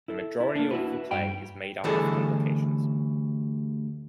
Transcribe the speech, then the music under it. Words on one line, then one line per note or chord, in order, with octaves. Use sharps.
The majority of the play is made up of complications.
E4 A4
E4
A#3 D4
E4 F#4 B4
G2 G5 B5
D2 E3 G3 E4 G#4 A4